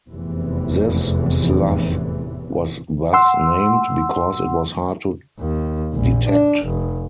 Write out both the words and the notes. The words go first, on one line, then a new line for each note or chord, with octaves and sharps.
This slough was thus named, because it was hard to detect.
F1 E2 A2 C3 E3
F#5 C6 E6
D#2
A#1
D4
F1